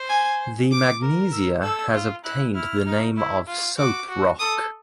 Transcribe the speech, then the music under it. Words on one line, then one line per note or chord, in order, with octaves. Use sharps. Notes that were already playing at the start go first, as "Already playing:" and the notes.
The magnesia has obtained the name of soap-rock.
Already playing: C5
G#5
D6
A#4
E6
A4 E6
F4
E4 F#6
E4 F6
D#4
E4
F4
F#4 D6
F#4
A4 D#6